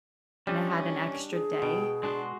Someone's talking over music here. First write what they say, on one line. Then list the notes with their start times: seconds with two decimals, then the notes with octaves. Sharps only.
and I had an extra day.
0.47 G3 C#4 D4 D#5
1.32 G#4
1.62 B2 G5
2.03 G#3 D4 F#4 C6